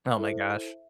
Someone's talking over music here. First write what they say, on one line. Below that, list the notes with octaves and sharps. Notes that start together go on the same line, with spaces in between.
Oh my gosh.
E4 A4 C5 E5